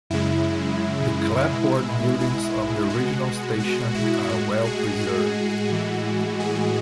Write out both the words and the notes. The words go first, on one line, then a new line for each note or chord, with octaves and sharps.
The clapboard buildings of the original station are well preserved.
F#2 C#3 G#3 E4
B2 G#3
E4
B2 G#3 F#4
F#4
E4
A2 G#3 F#4
G#4
F#4
A2 E3 G#3
G#4